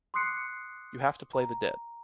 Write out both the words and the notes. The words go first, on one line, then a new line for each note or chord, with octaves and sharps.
You have to play the dead.
C6 D6 D#6 F#6 C7 C#7
A#5